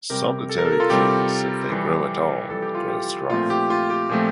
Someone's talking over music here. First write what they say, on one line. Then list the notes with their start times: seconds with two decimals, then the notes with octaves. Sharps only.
Solitary trees, if they grow at all, grow strong.
0.10 C3 G3 C4 G4 A#4
0.49 A4
0.58 A#4
0.65 A4
0.72 A#4
0.80 F4 A4
0.90 C3 G3 C4 G4
1.70 F2 E3 G3
2.50 F2 E3 G3 A4
2.62 G4
2.75 F4
2.88 G4
3.30 A#2 F3 A3 C4 F4
3.50 G4
3.70 F4
3.90 G4
4.09 A#2 F3 A3 C4